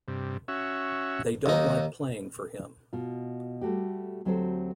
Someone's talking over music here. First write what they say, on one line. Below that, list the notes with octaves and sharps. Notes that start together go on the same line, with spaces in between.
They don't like playing for him.
G2 C3
C#4 F#4 E5
D#2 F#3 D#4
B2 F4
G3 A3 F#4 G4
D2 F#3 C4 G4 A4 C5